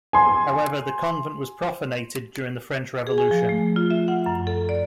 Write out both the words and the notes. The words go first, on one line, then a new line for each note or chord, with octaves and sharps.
However, the convent was profanated during the French Revolution.
G#5 C6
G#4
G#5
F3
A3
F4
E5
F#5
F#2
A4
D5